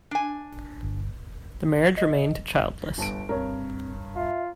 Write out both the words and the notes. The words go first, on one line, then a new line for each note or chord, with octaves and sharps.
The marriage remained childless.
D4 G#5
G1
D#5
G1 A5 D7
G2 C4 A#4 C#5
F4 E5